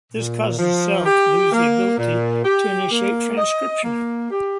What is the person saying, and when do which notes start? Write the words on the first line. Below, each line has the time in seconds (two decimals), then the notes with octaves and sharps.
This causes the cell to lose the ability to initiate transcription.
0.13 A#2
0.58 F3
1.05 G4
1.52 A#3
1.98 A#2
2.44 G4
2.91 A#3
3.37 D#5
3.83 A#3
4.31 G4